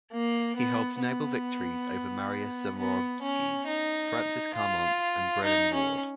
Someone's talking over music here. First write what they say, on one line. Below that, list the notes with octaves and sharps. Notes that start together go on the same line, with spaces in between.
He holds notable victories over Marius Zaromskis, Francis Carmont, and Brennan Ward.
A#3
B3
B3
B3
C#4
D#4
F4
D#4
C#4